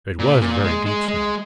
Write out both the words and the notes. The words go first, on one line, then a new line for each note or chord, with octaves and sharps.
It was a very deep snow.
A#2
A#2
G#3
G#3
G#3